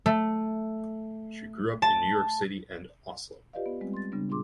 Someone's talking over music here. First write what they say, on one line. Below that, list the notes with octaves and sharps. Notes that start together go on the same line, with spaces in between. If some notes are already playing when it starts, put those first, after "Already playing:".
She grew up in New York City and Oslo.
A3
A5
F4 G4 B4 D5 D#5 F5
B3
G3 G#3 C4
C6 A6
C#3 G3 B3 D4
A#2 D4 F4 G#4 C6 D6